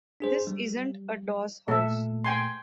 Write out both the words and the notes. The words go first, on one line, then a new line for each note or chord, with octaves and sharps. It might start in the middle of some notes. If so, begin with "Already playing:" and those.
This isn't a doss house.
D4 G#4 C5
G3
A#2 A3 A4 E5
G5 G#5 C6